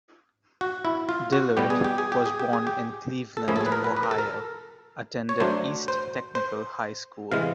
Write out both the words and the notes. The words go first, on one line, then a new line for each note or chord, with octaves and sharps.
Dillard was born in Cleveland, Ohio, attended East Technical High School.
F#4
E4
F4
F#4
B2 G3 B3 G4
G#4
G4
G#4
G4
G#4
G4
G#4
G4
A4
A2 F3 A#3 C#4 E4 G#4
A4
G#4
B4
A#4
B4
B4
A#4
A4
A#4
C#5
F#3 A3 D4 C5
C5
C5
C3 E3 G#3 F5